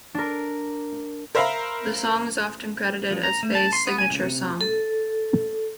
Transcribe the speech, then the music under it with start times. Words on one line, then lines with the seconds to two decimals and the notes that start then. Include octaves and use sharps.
The song is often credited as Faye's signature song.
0.14 D4 A#4
1.35 A#4 C5 E5 F5 A#5 B5
3.11 F3
3.23 A#5
3.43 A3
3.55 A5
3.73 C6
3.87 B3
3.98 G#5
4.11 C#2
4.23 C3
4.61 A4